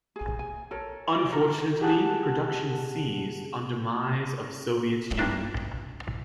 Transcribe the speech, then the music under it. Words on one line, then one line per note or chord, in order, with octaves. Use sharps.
Unfortunately, production ceased on demise of Soviet Union.
G#4 G#5
G#5
A4 A#4 C#5
F#4 D5
A4 A#4
G4 G#4 F#5 A5 F#6
G2 A#3 B3 D4 F4 E5